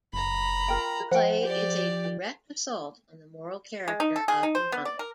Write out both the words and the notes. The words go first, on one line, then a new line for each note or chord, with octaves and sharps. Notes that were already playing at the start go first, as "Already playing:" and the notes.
The play is a direct assault on the moral character of Muhammad.
F#1 A#5 B5
F4 A#4 G5
F3 C5 F#5 G5
G4 D5
G#3
D#4
A4
G#4
D#4
C5
B3
D5
A#4